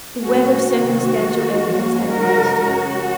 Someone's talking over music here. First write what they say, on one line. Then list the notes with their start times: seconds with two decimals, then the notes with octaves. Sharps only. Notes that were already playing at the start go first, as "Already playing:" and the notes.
The web of circumstantial evidence had enmeshed him.
0.22 A#2 F#3 C#4 F#4
0.70 C3 D#3 F#3 C4 D#4 F#4
1.18 D#2 D#3 A#3
1.65 G#2 F3 A#3 C#4
2.12 C#3 F3 G#3 D#4 F#4 A#4
2.59 C#3 G#3 C#4 F#4